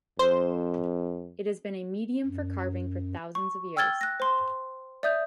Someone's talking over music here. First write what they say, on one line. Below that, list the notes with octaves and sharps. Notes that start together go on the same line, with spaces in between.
It has been a medium for carving for thousands of years.
F2 C5
F#2
C#6
G5 E6 F6 G#6 A6 G7
F#6 A#6
C5 C6
D5 E5 D#6 G6